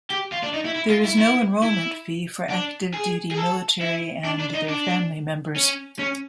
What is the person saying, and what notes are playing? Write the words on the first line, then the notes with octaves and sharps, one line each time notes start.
There is no enrollment fee for active duty military and their family members.
G4
F4
D4
D#4
E4
E4
F4
E4
E4
E4
D4
G#4
G#4
A4
E4
D4
D4
D#4
D4
C#4
C#4